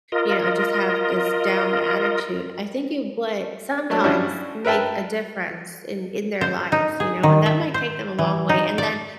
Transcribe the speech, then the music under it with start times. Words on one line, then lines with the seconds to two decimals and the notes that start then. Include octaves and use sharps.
you know, just have this down attitude, I think it would- sometimes- make a difference in in their lives, you know, and that might take them a long way, and then
0.12 F4 A#4 D#5
3.90 F#3 A3 D4 A4
4.04 F3 G3 C#4 D4 E4 F#4
4.65 A#4 B4 E5 G5 A5
6.41 C5
6.72 D#4
7.00 G#4
7.23 D#3
7.46 E5
7.74 C5
8.19 E3
8.49 D#4
8.78 D5